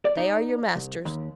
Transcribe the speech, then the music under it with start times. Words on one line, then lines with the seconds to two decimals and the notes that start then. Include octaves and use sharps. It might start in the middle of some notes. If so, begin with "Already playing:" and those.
They are your masters.
0.05 D5
0.17 D#4
0.76 C2
1.05 D#2